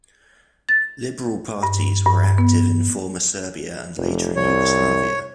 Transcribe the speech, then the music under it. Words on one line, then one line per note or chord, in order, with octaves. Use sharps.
Liberal parties were active in former Serbia and later in Yugoslavia.
A6
G2
G2
B3
F1
C2 C#5